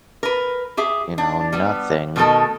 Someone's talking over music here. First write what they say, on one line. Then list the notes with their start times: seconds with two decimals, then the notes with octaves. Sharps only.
you know, nothing
0.23 A#4 B4
0.77 G4 G#4 E5
1.18 D4
1.52 G3 B3
2.16 B2 D#3 A3 D#4 A4 A#4